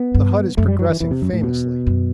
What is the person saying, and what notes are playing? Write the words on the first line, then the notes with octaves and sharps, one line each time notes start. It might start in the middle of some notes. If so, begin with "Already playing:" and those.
The hut is progressing famously.
Already playing: B3
G2
F#2 A3
G3
F#3
E3
E2 E3
C3
F#2
A2
B2
F#2